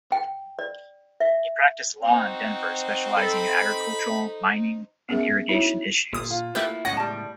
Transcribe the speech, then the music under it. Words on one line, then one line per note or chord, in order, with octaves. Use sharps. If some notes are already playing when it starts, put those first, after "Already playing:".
He practiced law in Denver, specializing in agricultural, mining, and irrigation issues.
G5
D5
E5
C4 D#4 F#4 C5
A4 B5
B3 C#4 G#4 A#4 E5
D#4 E4 F#4 C#5 E5
G1 A#2 D#6
F4
A3 A#3 E4 G4 B4
C#2 A2 G#3 C#4 F#5 A#6
G3 A5